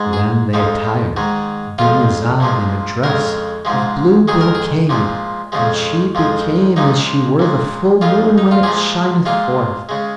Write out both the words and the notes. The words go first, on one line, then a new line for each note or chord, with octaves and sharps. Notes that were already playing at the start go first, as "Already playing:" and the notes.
Then they attired Dunyazad in a dress of blue brocade, and she became as she were the full moon when it shineth forth.
Already playing: G#2 G#3
G#4
F2 F3 G#3 D#4
G#2 D#3 G#3
F2 F3 G#3 F4
A#2 F3 G#3
F2 C#3 G#3 A#4
G#2 F3 G#3
F2 D#3 G#3 G#4
A#4
G#4
A#2 F3 G#3
F2 C#3 F3 G#3
F2 F3 G#3
A#2 F3 G#3 D#4
A#2 G#3
F2 F3 G#3 F4
D#4
F4
A#2 F3 G#3 G#4
A#2 G#3 F4
C#3 G#3